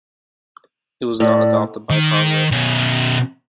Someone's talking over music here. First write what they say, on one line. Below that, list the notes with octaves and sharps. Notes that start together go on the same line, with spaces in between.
It was not adopted by Congress.
A2 D5
D#3
B2 C#4